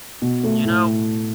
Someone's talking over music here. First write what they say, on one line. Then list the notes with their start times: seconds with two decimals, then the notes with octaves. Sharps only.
you know,
0.22 B2
0.43 A3
0.65 A2